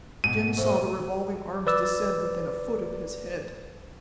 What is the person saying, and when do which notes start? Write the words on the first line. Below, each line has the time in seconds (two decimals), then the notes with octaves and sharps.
Jim saw the revolving arms descend within a foot of his head.
0.24 G#2 B2 D#7
0.58 F2 A2 C5
1.67 B4 D5 E6